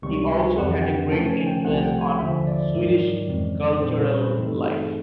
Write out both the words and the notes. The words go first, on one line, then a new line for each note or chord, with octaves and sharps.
He also had a great influence on Swedish cultural life.
C#2 C3 D#3 G3 C#6
G#5
F2 C3 E3 F#5
G5
C#3 F3 A3 C#4 A5
G#5
G5
C2 C3 F3 A3 C4 F#5
G#5
G5
G#5
D#2 D3 F3 E5
D5
G#2 D#3 F#3
F2 C#3 E3 G#3 C4
A#2 G3 C4 C5
C5
B4
G2 E3 A3 C4 D#4 A4
G#4